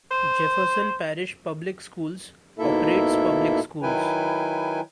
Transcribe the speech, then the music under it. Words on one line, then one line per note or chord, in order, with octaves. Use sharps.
Jefferson Parish Public Schools operates public schools.
C5
G#2 B2 A#3 E4 A4 E5
D#3 F#3 E4 B4 G5 G#5